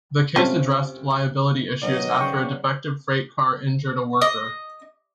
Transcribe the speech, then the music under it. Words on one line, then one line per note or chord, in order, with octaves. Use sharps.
The case addressed liability issues after a defective freight car injured a worker.
C3 A3 C4 C#4 F4 C#5
B2 D#3 F#3 C#4 D#5
C#3 B4 C5 D5 G5 C#6
D#5